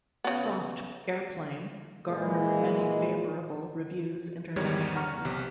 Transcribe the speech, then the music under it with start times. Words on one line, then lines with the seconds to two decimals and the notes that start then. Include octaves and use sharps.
"Soft Airplane" garnered many favourable reviews internationally.
0.24 C#3 B3
2.09 A#2 E3 G#3
4.56 E2 G#2 D#3 G3 C#5 G#6
4.95 F#5 A#5 C#6 F6
5.25 B1 C3